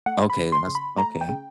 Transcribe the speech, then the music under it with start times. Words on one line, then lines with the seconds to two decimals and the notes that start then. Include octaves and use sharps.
Okay, then that's okay.
0.06 A3 F#5
0.30 B5
0.36 C#3
0.52 C6
0.68 C#3
0.75 B5
0.98 A3 A#5
1.21 G5
1.29 C#3